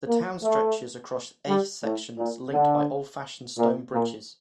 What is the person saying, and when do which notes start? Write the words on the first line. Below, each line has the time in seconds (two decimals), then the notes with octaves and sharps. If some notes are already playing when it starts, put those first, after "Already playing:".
The town stretches across eight sections, linked by old-fashioned stone bridges.
0.08 A#3
0.43 A3
1.48 G3
1.84 A2
2.19 A#2
2.53 D3
3.58 A#2
3.94 A#2